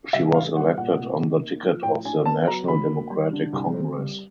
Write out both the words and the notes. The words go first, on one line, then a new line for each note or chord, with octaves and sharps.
She was elected on the ticket of the National Democratic Congress.
C2 E5
C2 F5
G3 F#5
A#2 F#5
C3
D#4
A#3
F3
A2 G5
D4 G#5
B3 A5
F#3 A#5
D2 B5
A#3
G3
D3
C2
C4
G3